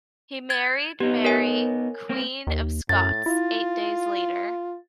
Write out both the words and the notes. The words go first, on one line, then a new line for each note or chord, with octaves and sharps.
He married Mary, Queen of Scots, eight days later.
G#6 A6
B3 D#4 G4
A#4 C#5 G#5
A#3 C4
D#2
F#2 A2 A6
E4 F4